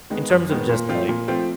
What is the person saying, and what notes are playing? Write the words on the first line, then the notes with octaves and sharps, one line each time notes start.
in terms of just like
D#3 G#3 B3
F#2
D#3 G#3 B3
A#2
F3 A3 C4 F4
A#2
F3 A3 C4 F4